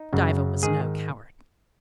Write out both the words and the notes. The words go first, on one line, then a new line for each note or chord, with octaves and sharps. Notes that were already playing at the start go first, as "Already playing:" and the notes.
Diva was no coward.
Already playing: D#4
F#2 C#3
G#2 D#3 G#4